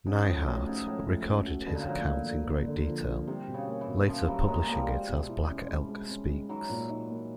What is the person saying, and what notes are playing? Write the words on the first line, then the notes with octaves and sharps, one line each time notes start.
Neihardt recorded his account in great detail, later publishing it as Black Elk Speaks.
G#2 C#4
A2 F3
A2 F#4
G#2 C#4
A2 F3
F3
C#4
F#4
B2 D3
A#2
A2
A#2 F3
F3
D3
D3
D3
F3
F3
C3 G3
B2
C#3
A#3
E3
B2
F3 C#4
E3 F#3 G3
F#3 G#3 A#3
F3 G3 A#3
G#3
B2
E4
C#4
G#3
G#3
C#4
G#3
E3 F#3 D#4
A#2
D#4
A#3